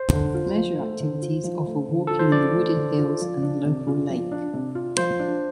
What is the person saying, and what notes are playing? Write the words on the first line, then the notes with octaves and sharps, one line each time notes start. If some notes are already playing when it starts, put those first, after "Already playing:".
Leisure activities offer walking in the wooded hills and the local lake.
Already playing: C5
D3
F4
F3
A3
D3
F4
F3
A3
D3
F4 A4
C5
F3 D5
A3
D3
F4
F3
D4
C3
F4
F3
D4
C3
F4
F3 C5
D4